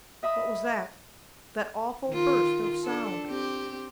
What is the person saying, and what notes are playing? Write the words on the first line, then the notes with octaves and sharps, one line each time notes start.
What was that--that awful burst of sound?
D#5 E5 B5 D#6
D#3 F4
D4 A4
C4 G4